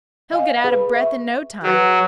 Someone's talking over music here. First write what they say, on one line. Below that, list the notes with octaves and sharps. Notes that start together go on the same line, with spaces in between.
He'll get out of breath in no time.
D#5 F5 G#5
G#4 B4 B5
E5 C#6
F#3 G#4 B4